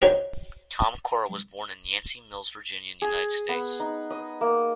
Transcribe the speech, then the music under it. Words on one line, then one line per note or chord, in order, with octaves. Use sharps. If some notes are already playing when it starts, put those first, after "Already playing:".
Tom Cora was born in Yancey Mills, Virginia, United States.
D#4 F#4 C5 C#5 D#5
G#4
B3
D#4
D#5
A#3